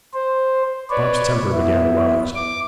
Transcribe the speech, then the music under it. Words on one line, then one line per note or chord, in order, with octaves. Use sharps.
Bob's temper began to rise.
C5
B4 C#5 D5
B3 E4
D6